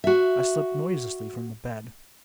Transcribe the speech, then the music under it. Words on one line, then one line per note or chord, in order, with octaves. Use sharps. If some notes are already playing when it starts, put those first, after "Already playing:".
I slipped noiselessly from the bed.
F#4 E5